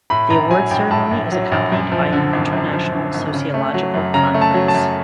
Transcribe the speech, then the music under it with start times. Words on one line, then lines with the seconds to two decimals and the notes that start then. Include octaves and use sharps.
The award ceremony is accompanied by an international sociological conference.
0.10 A2 B5
0.30 A#1 A#5
0.50 F#3 G#5
0.71 A#1 G5
0.91 A2 A5
1.11 A#1
1.32 F#3
1.52 A#1
1.72 F#2
1.92 F3
2.12 D3
2.33 G#1
2.53 F#2
2.73 F3
2.93 D3
3.14 G#1
3.34 C#3
3.54 A3
3.74 F#3
3.94 F#2
4.14 C#3 A#5
4.34 A3
4.41 A5
4.54 F#3
4.68 A5
4.75 F#2